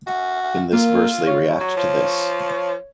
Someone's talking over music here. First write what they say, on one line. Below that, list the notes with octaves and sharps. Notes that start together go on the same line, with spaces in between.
In this verse they react to this.
F#4
A#3 F4
C#5
F#3
F3